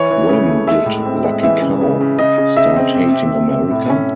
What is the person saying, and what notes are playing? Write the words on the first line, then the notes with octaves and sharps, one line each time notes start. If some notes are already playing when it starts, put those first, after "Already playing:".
When did Lucky Cow start hating America?!
Already playing: E3 C#5
E3
C#3
A3
G#3 E5
A2
C4
G#3
E3 E5
C#3
C#3
C#3
C#3 D#5
C#3
C#3 E5
C4
C3
C3
C3
C3
A2
C#4